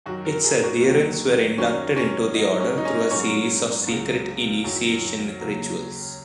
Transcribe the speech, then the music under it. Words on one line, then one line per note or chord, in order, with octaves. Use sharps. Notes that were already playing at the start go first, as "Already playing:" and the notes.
Its adherents were inducted into the order through a series of secret initiation rituals.
F#2 D#3 F#3 F#4
A#4
G#4
F#4
D#2 D#3 F#3
F#2 D#3 F#3 C#4
C#4
G#2 F#3 D#4
C#4
D#4
C#4
G#2 F#3 C#4
C#2 C#3 F#3
F#2 D#3 F#3
D#2 C#3 F#3